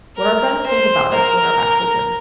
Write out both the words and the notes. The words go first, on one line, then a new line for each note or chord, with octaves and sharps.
What our friends think about us when our backs are turned.
A#4
C5
A#4